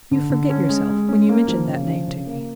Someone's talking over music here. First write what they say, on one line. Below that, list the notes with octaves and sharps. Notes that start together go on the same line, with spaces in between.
"You forget yourself when you mention that name to me."
D3
D3
C#4
G#3
G#3
C#4
A#3
F3
C#3
F3
C#3
A#3